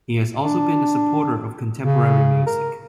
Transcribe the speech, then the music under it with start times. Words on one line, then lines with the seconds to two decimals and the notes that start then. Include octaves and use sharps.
He has also been a supporter of contemporary music.
0.44 D4
1.84 C#3
2.47 A#4